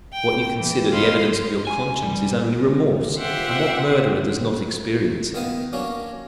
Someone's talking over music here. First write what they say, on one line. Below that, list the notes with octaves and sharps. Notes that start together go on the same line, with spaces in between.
What you consider the evidence of your conscience is only remorse; and what murderer does not experience it?
G5
E3
C5 D#5 F5 B5 C6
G#5
G3
F4 G4 C5 E5 F#5 G5
D#3 B3 B4 F5 D#6
F#3 A#3 C#4 D4